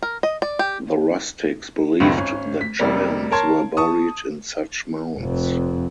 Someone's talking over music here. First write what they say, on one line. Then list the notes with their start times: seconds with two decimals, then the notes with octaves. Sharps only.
The rustics believed that giants were buried in such mounds.
0.02 A#4
0.23 D#5
0.42 D5
0.59 G4
2.00 C#2 F#2 A2 D#3 C4
2.17 G#1 C#4
2.61 B6
2.79 F1 C3 G3 A#3
3.31 A#4 C#5 A5 C6 G#6
3.77 A5 C#6 D#6
5.18 F1 F2